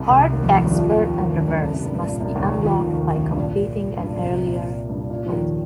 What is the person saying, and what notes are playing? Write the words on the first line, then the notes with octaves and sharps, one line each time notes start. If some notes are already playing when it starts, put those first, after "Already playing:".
Hard, Expert, and Reverse must be unlocked by completing an earlier difficulty.
Already playing: C2 C3
C2 C3
D#2 D#3
F2 F3
D#2 D#3
G2 G3
F2 F3
D#2 D#3
D#2 D#3
G2
G2
C2 C3
C2 C3
G2
G2
A#2
C2 C3
D#2 D#3
D#2 D#3
F2 F3
D#2 D#3
D#2 D#3
C2 C3
G2
A#2
G2
A#2
C2 C3
A#2
G2
A#2
F3
D#2 D#3